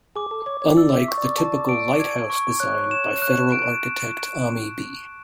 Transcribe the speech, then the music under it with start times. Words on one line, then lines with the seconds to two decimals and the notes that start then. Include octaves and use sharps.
Unlike the typical lighthouse design by federal architect Ammi B.
0.16 G#4 D6
0.31 A4
0.46 C#5 D6
0.62 C#5
0.77 D5 E6
0.97 E5
1.08 C#6
1.18 D5
1.38 A5
1.69 D7
2.00 G#6
2.30 C#6
2.60 C#5 F#6
2.91 E7
3.22 F#6
3.52 D7